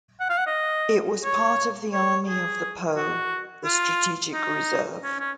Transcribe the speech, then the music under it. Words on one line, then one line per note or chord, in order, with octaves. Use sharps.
It was part of the Army of the Po, the strategic reserve.
F#5
F5
F#5
D#5
C#5
C#5
G#4
F#4
F4
D#4
C#4
C#4